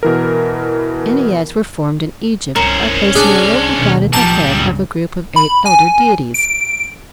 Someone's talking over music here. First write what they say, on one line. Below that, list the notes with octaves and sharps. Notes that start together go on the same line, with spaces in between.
Enneads were formed in Egypt by placing a local god at the head of a group of eight elder deities.
B2 E3 A#4
C2 C#4 A#4 C5
D4 G#4
D#2 B2
C2 A#2 F3 G3 A5
C#2 G2 C#3
B5
G#5
D7